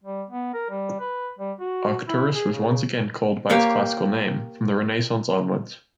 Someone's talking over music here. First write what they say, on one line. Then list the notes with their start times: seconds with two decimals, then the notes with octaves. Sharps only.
Arcturus was once again called by its classical name from the Renaissance onwards.
0.04 G3
0.30 B3
0.54 A#4
0.70 G3
1.00 B4
1.39 G3
1.60 F#4
2.08 E4
2.35 G#4
2.53 C#3
3.49 A#3 G4 C#5 F5